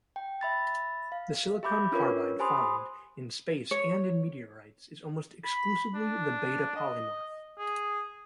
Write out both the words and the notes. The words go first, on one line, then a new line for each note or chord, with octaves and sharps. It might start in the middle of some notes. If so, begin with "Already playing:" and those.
The silicon carbide found in space and in meteorites is almost exclusively the beta-polymorph.
G5
E5 B5 A6
F5
G4 E5 B5 D6 G6
C#4 D4 F4 A#4 B4 C#5
G4 C5 G#5 B5 C6 D#6
C#5
B5
D4
D#5
G#4